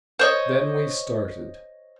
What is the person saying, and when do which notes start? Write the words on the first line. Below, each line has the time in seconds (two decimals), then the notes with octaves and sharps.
Then we started.
0.19 C5 C#5 D#5